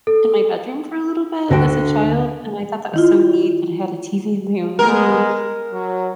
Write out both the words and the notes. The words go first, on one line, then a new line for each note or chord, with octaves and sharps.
in my bedroom for a little bit, as a child. And, I thought that was so neat that I had a TV in my own room.
A4
D2 D3 F#4 F5 G5
D#3 E4 F4
G#3 B3 A#4
F#3